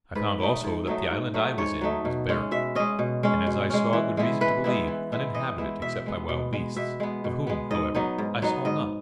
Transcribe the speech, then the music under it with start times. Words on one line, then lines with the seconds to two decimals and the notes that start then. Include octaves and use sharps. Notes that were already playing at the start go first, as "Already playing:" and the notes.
I found also that the island I was in was barren, and, as I saw good reason to believe, uninhabited except by wild beasts, of whom, however, I saw none.
0.15 G#2 B4
0.40 F#3 A3 D#4
0.64 G#2
0.87 F#3 A3 D#4
1.11 G#2
1.34 F#3 A3 D#4
1.58 G#2 C#5
1.81 F#3 A3 D#4
2.05 B2
2.29 G#3 C#4
2.51 B2 E5
2.75 G#3 C#4 D#5
2.99 B2
3.23 G#3 C#4
3.47 B2
3.70 G#3 C#4
3.93 E3
4.17 G#3 B3 E4
4.41 E3 B4
4.64 G#3 B3 E4
4.88 E3
5.12 G#3 B3 E4
5.34 E3 D#5
5.58 G#3 B3 E4
5.82 B2 E5
6.06 G#3 B3
6.29 B2
6.53 G#3 B3
6.76 B2 E5
7.00 G#3 B3
7.24 B2
7.47 G#3 B3
7.71 G#2 D#5
7.95 F#3 B3 D#4
8.18 G#2
8.42 F#3 B3 D#4
8.65 G#2 D#5